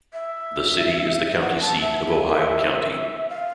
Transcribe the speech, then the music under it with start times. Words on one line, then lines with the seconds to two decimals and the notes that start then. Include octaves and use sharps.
The city is the county seat of Ohio County.
0.13 E5
1.40 F#5
1.61 A5
1.81 E5
3.29 F5